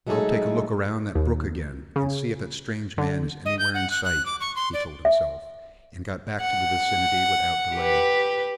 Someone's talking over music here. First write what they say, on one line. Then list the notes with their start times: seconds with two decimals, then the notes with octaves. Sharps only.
"I'll take a look around that brook again, and see if that strange man is anywhere in sight," he told himself, and got back to the vicinity without delay.
0.07 F#3 G#3 A3 D#4 G#4 A4
1.15 D#2
1.96 C#3
2.98 D3
3.45 D#5
3.59 G6
3.74 F#5
3.90 F#6
4.05 F#6
4.26 D6
4.41 C#6
4.56 C6
4.74 D5
5.05 E5
6.40 F#5
7.75 G4 B4